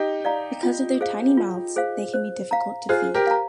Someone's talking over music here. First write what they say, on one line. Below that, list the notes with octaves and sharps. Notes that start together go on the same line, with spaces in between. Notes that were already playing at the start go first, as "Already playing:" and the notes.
Because of their tiny mouths, they can be difficult to feed.
Already playing: D#4 G4
D5 F5 A#5
F4
G#4 C5 F5
F4
G#4 C5 F5
C5
F5 A#5
F4 G#4 C5
G4 A#4
F5 A#5